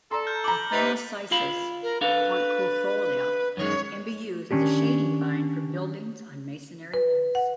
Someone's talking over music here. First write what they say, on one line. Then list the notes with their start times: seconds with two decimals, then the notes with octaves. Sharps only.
"Parthenocissus quinquefolia" can be used as a shading vine for buildings on masonry walls.
0.11 A4 D5 A#5 C6
0.27 F6 G6
0.44 A#5 B5 D6 F#7 G7
0.72 C3 D#4 B4 A6 F7
1.31 F4 F5 B5
1.82 A#4
2.01 D4 A4 B4 F5
3.57 F#2 D#3 G#3 C#5
4.51 D#3 F3 C#4 D4 G4
6.94 B4
7.35 F#5